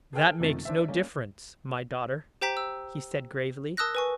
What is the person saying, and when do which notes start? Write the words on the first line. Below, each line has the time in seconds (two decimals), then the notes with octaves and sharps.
"That makes no difference, my daughter," he said gravely.
0.13 G#4 A4 B4 G5 F6
0.40 F#1 C3 D#3 F3 A3 A6
0.65 D4 C5 E5
0.88 G3 A#3 C#4
2.41 G4 C5 G5 A#5 B6
2.57 E6
3.77 A#4 A5 D#6 E6 F#6 A#6
3.95 B4 G#5 C#6